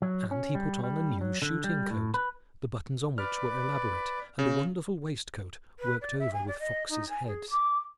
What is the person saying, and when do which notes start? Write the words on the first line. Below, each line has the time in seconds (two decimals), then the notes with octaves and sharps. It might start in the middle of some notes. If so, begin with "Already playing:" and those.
And he put on a new shooting-coat, the buttons on which were elaborate, and a wonderful waistcoat worked over with foxes' heads.
0.02 F#3
0.31 C#4
0.55 G3
0.84 G3
1.21 F#3
1.42 D3
1.64 G3
1.90 A2
2.14 B4
3.18 B4 D5 F6
4.39 C#3
5.79 B4
6.01 D5
6.19 E5
6.33 G#5
6.47 D5
6.59 D#5
6.89 D#4
7.09 G#5
7.27 G#4
7.50 D6